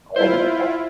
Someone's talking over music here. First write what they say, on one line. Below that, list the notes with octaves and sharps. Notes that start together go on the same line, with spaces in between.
Oh my god,
E4 F4 C5